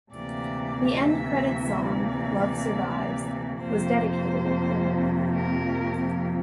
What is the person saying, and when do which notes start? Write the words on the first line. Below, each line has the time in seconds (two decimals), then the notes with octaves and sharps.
The end credits song "Love Survives" was dedicated in her memory.
0.12 D2 C3 E3 A#3 D5
0.99 E5
1.87 D5
3.61 F2 C3 F3 A#3 C5
5.35 A#4